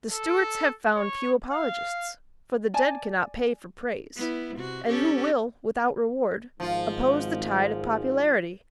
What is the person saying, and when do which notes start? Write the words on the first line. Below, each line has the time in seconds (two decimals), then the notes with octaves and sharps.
The Stuarts have found few apologists, for the dead cannot pay for praise; and who will, without reward, oppose the tide of popularity?
0.11 A4
0.96 C#5
1.52 F5
2.74 D5 G#5 A5
4.17 B3 E4
4.57 C3 F#4
4.87 C#4 G4 A4
6.60 G#1 G#2 F3 F4